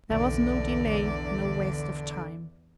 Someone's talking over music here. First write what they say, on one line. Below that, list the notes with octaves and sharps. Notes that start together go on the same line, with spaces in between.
There was no delay, no waste of time.
B1 E2 D3 D5